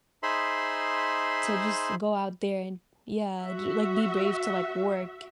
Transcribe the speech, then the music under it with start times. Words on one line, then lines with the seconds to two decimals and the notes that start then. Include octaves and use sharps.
to just go out there and yeah, ju like, be brave to like work.
0.23 D#4 G#4 C5 E5 B5 C6
3.43 F#4 E5